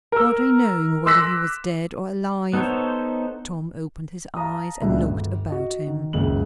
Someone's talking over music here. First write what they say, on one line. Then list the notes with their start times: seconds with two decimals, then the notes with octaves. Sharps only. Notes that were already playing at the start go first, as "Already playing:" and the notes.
Hardly knowing whether he was dead or alive, Tom opened his eyes and looked about him.
0.12 A#4 E6
1.06 C6 D6 E6 F#6 A#6 B6
2.53 B3 D#4 A4 C5 C#5
4.36 F5 A5 A#5 D#6
4.82 D1 C#2 A#2 D4 E5
5.04 G1
5.49 F#4 D#5
5.87 D#3
6.13 F#1 C#2 C#3 A#3 F#7